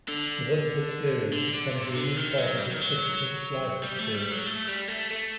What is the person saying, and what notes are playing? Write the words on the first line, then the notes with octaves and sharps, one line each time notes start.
The virtual experience becomes a unique part of the participants' life experience.
D3
D3
D3
C3
D3
D#3
F#3
G3
F#3
D#3
F#3
G3
A3
G3
F#3
A3
G3
A3
A3